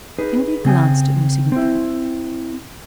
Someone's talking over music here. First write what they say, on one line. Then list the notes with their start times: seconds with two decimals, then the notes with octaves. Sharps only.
Kennedy glanced at me significantly.
0.18 D#4 G#4 B4
0.65 C#3 C4 G#5
1.52 C4 E4